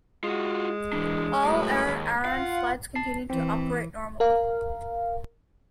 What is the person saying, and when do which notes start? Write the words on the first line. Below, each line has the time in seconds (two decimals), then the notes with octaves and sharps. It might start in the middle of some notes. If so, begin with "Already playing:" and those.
All Aer Arann flights continued to operate normally.
0.24 G#3 F4 F#4
0.93 E3 D4
1.44 F#2 A2 F#3 B4
1.87 D#2
2.25 F4 F5 F#5
2.95 A5 C7
3.30 E3 C4
4.20 A#4 F5